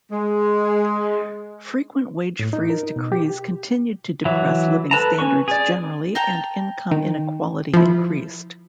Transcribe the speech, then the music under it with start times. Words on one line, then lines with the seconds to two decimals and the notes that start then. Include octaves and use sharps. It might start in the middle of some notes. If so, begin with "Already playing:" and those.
Frequent wage freeze decrees continued to depress living standards generally and income inequality increased.
0.11 G#3
2.39 A2
2.53 D#4
2.70 A#4
2.83 D#4
2.96 B2
3.12 G4
4.25 E3 F#3 E5
4.91 A4 B4 A5 A#5
5.19 C#4 B4 C#6
5.48 G#4 D5
6.15 G5 A5 A#5
6.91 D#3
7.73 F3 E4